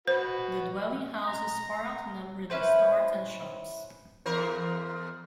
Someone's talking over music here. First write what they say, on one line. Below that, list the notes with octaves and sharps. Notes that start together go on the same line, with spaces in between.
The dwelling houses far outnumbered the stores and shops.
F#4 B4 C5
A#5
C#4 E4 B4 C5
E2 A#4 C5